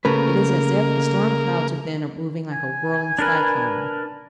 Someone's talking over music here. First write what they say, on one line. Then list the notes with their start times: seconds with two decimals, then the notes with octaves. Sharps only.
It is as if the storm-clouds within are moving like a whirling cyclone.
0.05 C#3 A3 A#3 A#4 B4
2.52 G#5
3.19 D4 A#4 B4